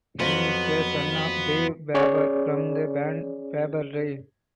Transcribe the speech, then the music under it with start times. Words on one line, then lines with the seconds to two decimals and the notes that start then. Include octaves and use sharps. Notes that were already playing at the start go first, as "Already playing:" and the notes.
He is the son of Dave Faber from the band Faber Drive.
0.20 F2 F#3 B3
1.94 C#4 G#4 C#5 D5